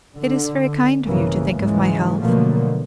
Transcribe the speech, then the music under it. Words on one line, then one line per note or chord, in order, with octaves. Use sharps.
It is very kind of you to think of my health.
D3
B1 E2 G2 C#3 E3 A#3
G#2 C#3 E3 G#3
B2 D3 F3 F#3 A3 A#3